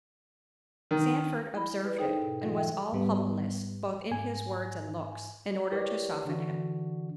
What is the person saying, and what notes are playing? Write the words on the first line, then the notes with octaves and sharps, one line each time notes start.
Sandford observed it, and was all humbleness, both in his words and looks, in order to soften him.
D#3
E4 B5
B4
D#4 G#4 A4 C5 G5
G#2 B2
E3 F#3 F4 A4
E5 G5
G#2 G3 B3
G#2 G#5
E4 G4 A#4 B4 C#5 D5
D3 E3 D4 F#4